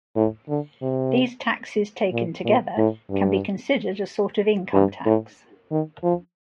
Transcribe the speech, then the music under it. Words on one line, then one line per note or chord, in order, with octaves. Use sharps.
These taxes taken together can be considered a sort of income tax.
A2
D3
C3
A#2
A#2
A2
G2
G2
A2
D#3
F3